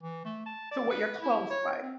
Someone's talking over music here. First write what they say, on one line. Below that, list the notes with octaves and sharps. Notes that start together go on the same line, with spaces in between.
to what your clothes like.
E3
A3
A5
D5
B4
E4
C#5
C4